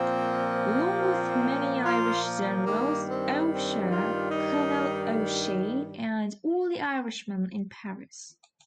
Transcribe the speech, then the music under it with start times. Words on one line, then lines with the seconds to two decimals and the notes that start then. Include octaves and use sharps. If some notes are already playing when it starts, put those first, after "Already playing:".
Along with many Irish generals, O'Cher, Colonel O'Shee, and all the Irishmen in Paris.
Already playing: A#2 F3 A#3 C4
1.01 C4
1.85 F4
2.66 G2 D#3 G3 A#3
3.08 C4
3.49 C4
3.91 F4
4.31 D#4